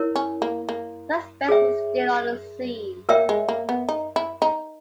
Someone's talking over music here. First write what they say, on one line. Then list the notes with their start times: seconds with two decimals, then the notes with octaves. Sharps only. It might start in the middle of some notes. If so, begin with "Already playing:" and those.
Suspects were still on the scene.
Already playing: E4 A#4 C#5
0.16 C#4
0.42 A#3
0.69 A#3
1.49 G#4 C#5 E5 G5
3.09 A#3 A#4 C#5 E5 G5
3.29 G#3
3.49 A#3
3.69 B3
3.89 D#4
4.16 E4
4.42 D#4